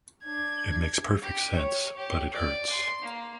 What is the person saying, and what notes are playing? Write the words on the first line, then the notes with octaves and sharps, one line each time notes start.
It makes perfect sense, but it hurts.
D4 G#6
G4
C#5
G4
D5
C6
A#3